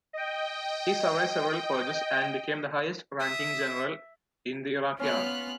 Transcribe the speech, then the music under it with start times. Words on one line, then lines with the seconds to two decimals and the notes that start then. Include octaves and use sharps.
He survived several purges and became the highest-ranking general in the Iraqi Army.
0.13 D#5 G5
3.20 E5 D#6
4.99 B3 C#4 F4 F6 F#6